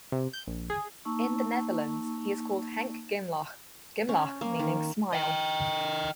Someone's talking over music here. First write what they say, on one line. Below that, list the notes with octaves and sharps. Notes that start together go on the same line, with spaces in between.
In the Netherlands, he is called "Henk Glimlach", "glimlach" meaning "smile".
C3
G6
A#1
G#4
A#3 D#4 A5 C#6 E6
C#4
A#3
D#3
D#5 G5